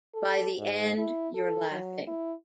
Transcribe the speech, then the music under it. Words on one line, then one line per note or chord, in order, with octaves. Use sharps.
By the end, you're laughing.
A4
G#2
E4
A4
F#3
E4